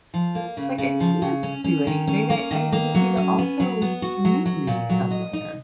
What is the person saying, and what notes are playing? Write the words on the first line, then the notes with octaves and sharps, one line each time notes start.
like, I can't do anything, I I need you to also meet me somewhere."
F3
A#3
C#3
C#3
F3
C#3
C#4
C#4
D#3
C#4
A#3
D#3
A#3
F#3
C#4
B3
F#3
B3
F#4
F#3
F#3
A#2
F#3
D#5
D#4